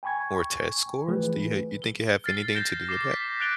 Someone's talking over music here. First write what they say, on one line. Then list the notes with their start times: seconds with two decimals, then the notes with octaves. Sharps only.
or test scores? Do you ha do you think it have anything to do with that?
0.03 G5 G#5 B5 C#6 G#6
1.08 E3 F3 A3 G#4 B4
1.82 G7
2.24 F6 A6 C7
2.55 G6 A#6 E7 G7
2.89 D6 C7 E7 G7
3.12 B6
3.40 F#6 A6 D7 F7 G7